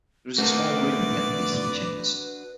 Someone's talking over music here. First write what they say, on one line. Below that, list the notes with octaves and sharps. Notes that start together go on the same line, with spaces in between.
There is a small room at the end of these three chambers.
A3 A#3 D4 F#4 A4 B4 D5